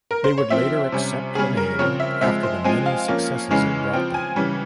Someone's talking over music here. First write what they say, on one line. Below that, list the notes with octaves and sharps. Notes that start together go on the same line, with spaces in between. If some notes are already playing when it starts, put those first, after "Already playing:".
They would later accept the name after the many successes it brought them.
A#4
C5
C#5
F3 C4 E5
C3 G3 C#4
C#3 G3 C#4 G#4
A#4
C#3 F3 C4 C#5
E5
F3 G#3 C4 E5
C5
F3 G#3 C4 G#5
F5
F3 A#3 C#4
C#3 E3 G#3 C#4
F3 C4 G5
G#5
C#3 E3 G3 C#4